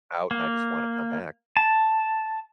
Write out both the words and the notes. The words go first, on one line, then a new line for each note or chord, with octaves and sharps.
out and I just wanna come back.
A#3
A5